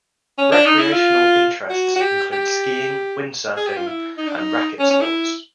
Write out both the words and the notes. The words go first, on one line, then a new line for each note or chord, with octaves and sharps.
Recreational interests include skiing, wind surfing, and racquet sports.
C#4
D4
D#4
E4
F4
F#4
F#4
G4
G4
G#4
G4
F4
E4
D#4
D4
D#4
C#4
C#4
E4